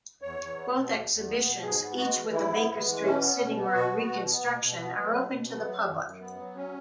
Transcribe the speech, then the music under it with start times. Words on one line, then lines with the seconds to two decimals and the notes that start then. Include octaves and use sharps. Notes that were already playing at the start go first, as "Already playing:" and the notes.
Both exhibitions, each with a Baker Street sitting-room reconstruction, are open to the public.
0.22 E2 C#5
0.40 E2
0.57 B3
0.74 B2
0.92 E2
1.10 E2
1.27 B3
1.44 B2
1.63 G#2 G#4
1.80 B3
1.97 G#3 F#4
2.15 E3
2.33 G#2 E4
2.50 B3
2.68 G#3
2.86 E3
3.02 B2 C#4
3.20 B3
3.38 B2
3.56 B3
3.73 B2 F#4
3.91 B3
4.08 B2
4.27 B3
4.44 B2
4.62 B2
4.79 B3
4.97 F#3
5.14 B2
5.32 B2
5.49 B3
5.66 F#3
5.85 F#2
6.02 F#2
6.20 B3
6.37 F#3
6.55 C#4